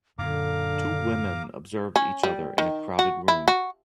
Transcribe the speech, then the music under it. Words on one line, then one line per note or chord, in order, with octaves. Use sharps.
Two women observe each other in a crowded room.
F#2 A#2 D3 F5 A#5 D6
C#4
G3
D#3
F#4
E4
F#4